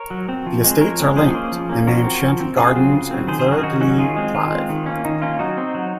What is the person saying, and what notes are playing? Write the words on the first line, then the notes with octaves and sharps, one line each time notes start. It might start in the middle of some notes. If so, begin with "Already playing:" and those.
The estates are linked, and named Chantry Gardens and Fleur De Lys Drive.
Already playing: A#4 C#5
F#3
C4
F3
G#3 C4
F3 A#4 C#5
G#3 C4
F3 G#4 C5
A#3 C#4
F3
A#3 C#4
F3 F#4 A#4
C4
F3
C4
C#3 F4 G#4
F#3 C4
C#3
F#3 C4
D#3 G#4 C5
G#4 C5
F#3 C#4
F#4 A#4
G#4
D#3 D#4 F#4
F#3 C#4 D#4 F#4
D#3 F4 G#4
G#3 C4
D#3 F4
G#3 C4
D#3
A#3 C#4
D#3 D#4
A#3 C#4 F4
F#3 D#4 F#4
C4
F#3